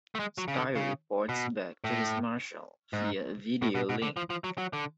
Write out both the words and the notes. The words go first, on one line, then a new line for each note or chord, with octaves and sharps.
Styre reports back to his Marshal via a video link.
A3
G#3
F#3
C#3
D3
C#3
B2
A2
G#2
A2
B2
B2
D3
F3
F3
F#3
F#3
D3